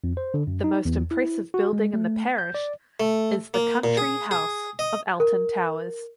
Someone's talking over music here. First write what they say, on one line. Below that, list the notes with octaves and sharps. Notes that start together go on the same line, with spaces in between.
The most impressive building in the parish is the country house of Alton Towers.
F2
C5
D3
F#2
D#4
E2
E4
F#4
G#3
A3
G6
D5
A3
A#3
A#2
G#4
G#4
D#5
A#4